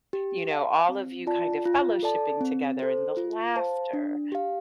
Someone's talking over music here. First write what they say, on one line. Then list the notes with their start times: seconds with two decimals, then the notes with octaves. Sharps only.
you know, all of you kind of fellowshipping together, and the laughter
0.13 G4
0.51 F5 A5
0.89 C4
1.27 F4 D5 A5
1.65 F4
2.03 A4 D5 A5
2.41 C4
2.79 A4 C5
3.17 F4
3.56 C5 F5 A5
3.93 D4
4.32 G4 F5